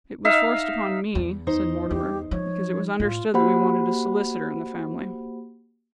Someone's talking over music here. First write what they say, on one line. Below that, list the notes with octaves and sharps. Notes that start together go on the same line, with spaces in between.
'It was forced upon me,' said Mortimer, 'because it was understood that we wanted a solicitor in the family.
D#4 E5 F5
E2
D#4 C5
E2 G4
F3 C#5
A2 F4
A#3 F#4 G4 C5 F#5 B5